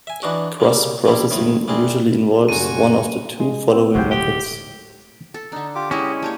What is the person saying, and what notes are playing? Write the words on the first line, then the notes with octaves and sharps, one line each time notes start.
Cross processing usually involves one of the two following methods.
E5 G#5
E3 D4 D#4 F#4
C#3 G3 A#3
F3 G3 C4 E4
F2 A2 D#3
C2 G3 C4 G#4
F#1 F#3 G3 F#4 G#5 D#7
G#3
B3 C4
F#1 B1 C3 F#3 F#4 G5
D1 G4
A4
D3 D4 D#4
F4 G4 D6
G#3 C#4 E4 G4 G#4 D#5
A#3 D4 G4 C#5